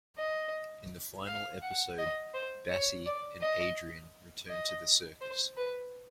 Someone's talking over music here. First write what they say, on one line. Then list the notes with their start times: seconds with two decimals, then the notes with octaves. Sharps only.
In the final episode Bassie and Adriaan return to the circus.
0.18 D#5
1.26 F5
1.62 F#5
1.98 D#5
2.34 C5
2.69 C#5
3.06 D5
3.41 D#5
4.49 D#5
5.21 C5
5.57 B4